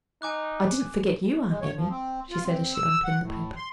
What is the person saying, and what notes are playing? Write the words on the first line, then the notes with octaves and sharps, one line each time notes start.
"I didn't forget you, Aunt Emmy," she said, as she unpinned the paper.
D#4 G#5 D6 F#6
G#3
C#5
F3
C4
F4
C4
E6
F#5
A2
C6